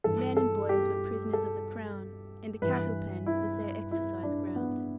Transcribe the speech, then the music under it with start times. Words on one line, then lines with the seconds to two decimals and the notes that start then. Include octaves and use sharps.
The men and boys were prisoners of the Crown, and the cattle-pen was their exercise ground.
0.04 G2 E3 A4
0.37 A4
0.69 G4
1.33 A4
2.62 G2 E3 B4
3.26 E4
3.91 E4
4.23 D4
4.56 B3